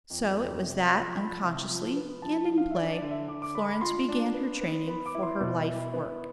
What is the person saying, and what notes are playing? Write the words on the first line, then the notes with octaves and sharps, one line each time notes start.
So it was that unconsciously, and in play, Florence began her training for her life work.
F2
F2
C3
F3
F3 B5
C3
F3
B3
F3 A5
F3
F5
E5
D4 D5
D5
D3
E5
D3 D6
D6
D4 B5
B5
F4 C6
D4
B3
B3
B3 B5
D6
E4
C6
B2
E4
B3